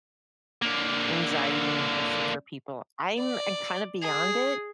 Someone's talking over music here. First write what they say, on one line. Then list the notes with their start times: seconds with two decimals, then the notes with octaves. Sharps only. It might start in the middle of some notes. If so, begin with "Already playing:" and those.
anxiety and pressure for people. I'm I'm kinda beyond it,
0.62 D3 A#3
3.18 D5
4.02 G#4